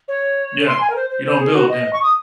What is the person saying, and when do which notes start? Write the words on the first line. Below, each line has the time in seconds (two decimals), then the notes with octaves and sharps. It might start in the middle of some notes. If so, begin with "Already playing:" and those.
Yeah, you don't build, yeah.
0.08 C#5
0.67 C6
0.81 G#5
0.90 A#4
0.96 C5
1.10 C5
1.24 C5
1.40 G#4
1.54 F#4
1.69 D#5
1.84 D#5
1.93 C#6
2.03 D#6